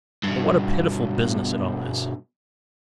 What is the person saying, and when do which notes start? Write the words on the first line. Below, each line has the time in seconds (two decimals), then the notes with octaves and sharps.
But what a pitiful business it all is!
0.23 G2 B2